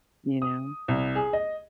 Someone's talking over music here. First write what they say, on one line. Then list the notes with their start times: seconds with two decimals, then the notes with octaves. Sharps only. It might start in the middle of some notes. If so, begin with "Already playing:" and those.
You know?
0.42 D#6
0.88 C2
1.15 G#4
1.33 D#5